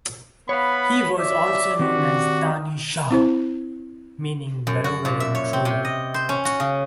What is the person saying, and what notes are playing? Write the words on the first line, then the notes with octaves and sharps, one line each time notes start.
He was also known as Tani Shah, meaning "benevolent ruler".
B3 C#5 F5 B5
D5 E5
D#3 C4 F#4 G4
C4 E4 C5
F#2
F#4
A#2
E5
C#5
C4
C3
D#5
C5
C#4
F#4
C#3